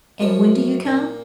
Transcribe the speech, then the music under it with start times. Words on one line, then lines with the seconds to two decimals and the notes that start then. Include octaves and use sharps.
"And when do you come?"
0.19 F#2 F3 C#5
0.85 A#2